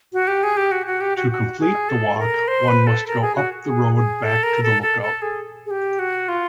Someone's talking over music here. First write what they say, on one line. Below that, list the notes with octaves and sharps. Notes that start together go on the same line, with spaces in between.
To complete the walk one must go up the road back to the lookout.
F#4
G4
G#4
G4
F#4
F#4
G4
F#4
F#4
G#4
A4
A#4
C5
B4
A4
A#4
G#4
F#4
G#4
G#4
A4
A#4
A4
A4
A4
G#4
G#4
G4
F#4
F4